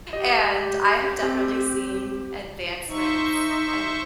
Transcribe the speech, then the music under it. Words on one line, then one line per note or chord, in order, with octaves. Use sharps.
and I have definitely seen advancements. I'm
G4 D#5
C4
D#4 C5 E5 C#6